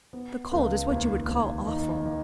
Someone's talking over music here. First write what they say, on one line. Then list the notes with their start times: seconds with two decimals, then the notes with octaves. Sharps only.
"The cold is what you would call awful."
0.13 B3
0.52 C#2
0.91 D#2
1.29 D#2
1.67 D#3
2.05 D#3